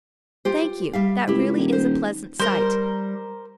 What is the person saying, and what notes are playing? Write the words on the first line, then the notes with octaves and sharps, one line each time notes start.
Thank you, that really is a pleasant sight.
F4 G4 C5
G3 E5 F5
C#2 E4 G4
D#1
C5
G3 A#4 C5